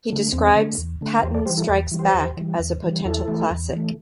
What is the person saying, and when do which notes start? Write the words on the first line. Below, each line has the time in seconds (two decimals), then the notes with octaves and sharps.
He described "Patton Strikes Back" as "a potential classic".
0.10 D3 A3
0.32 E2 C4
0.55 D3 A3
0.78 E2
1.01 D3 A3
1.23 E2 G4 C5
1.34 A4 D5
1.46 E3 G3 G4 C5
1.57 E4 A4
1.68 E2 A4 D5
1.91 E3 G3
1.99 G4 C5
2.14 E2
2.37 E3 G3
2.59 E2
2.83 E3 G3
3.05 E2 E4 A4
3.28 E3 A3
3.51 E2
3.73 E3 A3